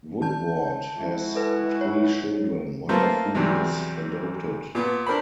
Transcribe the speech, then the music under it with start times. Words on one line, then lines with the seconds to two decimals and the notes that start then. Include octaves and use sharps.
Woodward has three children, one of whom is adopted.
0.21 D#3 A5 G6
0.98 G#3 E4 F#4
1.35 A4 B4
1.81 C#5
2.89 A3 A#3 F4 A4 B4 C5
3.35 E2 C3 F#3 G3
4.75 A#2 B3
5.06 D4 A#4 C5 B5